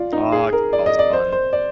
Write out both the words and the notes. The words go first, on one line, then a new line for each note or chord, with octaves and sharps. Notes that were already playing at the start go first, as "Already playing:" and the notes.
Ah, kickball is fun.
Already playing: F4 D5
D#4
G#4
A#4
D5
D#5
D5
C5
C5
D5